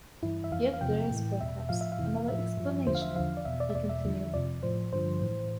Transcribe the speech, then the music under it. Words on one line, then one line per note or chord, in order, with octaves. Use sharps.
"Yet there is perhaps, another explanation," he continued.
G2 E3 E4
E5
F2 E3 F5
F5
E2 C3 F3 G5
A2 E3
E2 B2 E5
A2 F3 F5
E5
F5
F2 C3 E3
A2 F3 E5
G2 F3
E2 D3 F3 C5
F5
E5
E2 D3 F3 F5
D5
E2 B2 E5
D5
E5
E2 B2 D5
E5
E2 D3 F3
F2 C3 F3 D5
A2 F3 C5
G2 D3 F3 C5
A2 E3